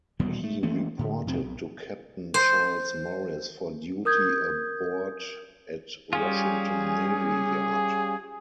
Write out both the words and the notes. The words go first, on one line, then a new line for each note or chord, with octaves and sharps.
He reported to Captain Charles Morris for duty aboard at Washington Navy Yard.
D#1 B2 E3 G3
A3
E3 A3 A#3 C#4
A2 D3
F2 C3 C4
B1
C5
A#4 D#6 G6 G#6
G3 C#4 F4 G#4